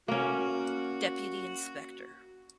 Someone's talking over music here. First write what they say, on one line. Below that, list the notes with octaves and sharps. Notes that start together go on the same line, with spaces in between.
Deputy Inspector.
A#3 C#4 F#4